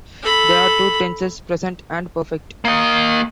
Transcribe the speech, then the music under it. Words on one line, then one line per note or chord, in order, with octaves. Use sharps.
There are two tenses: present and perfect.
A4 B5
A#3 D#5